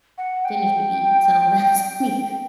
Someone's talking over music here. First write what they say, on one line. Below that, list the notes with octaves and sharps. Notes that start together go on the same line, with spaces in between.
finish the beat, so, that's on me,
F#5
G5